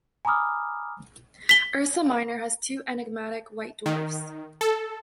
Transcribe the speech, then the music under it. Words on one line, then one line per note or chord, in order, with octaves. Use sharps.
Ursa Minor has two enigmatic white dwarfs.
G#5 A#5 B5 D6 D#6 F6
B6 G7
D#3
A4